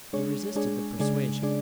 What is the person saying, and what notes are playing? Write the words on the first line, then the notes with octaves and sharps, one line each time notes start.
He resisted the persuasion.
G#3 D4 G#4 C#5
G#3 D4 G#4 C#5
C#3 G#3 D4 G#4 D5
C#3 G#3 D4 G#4 D5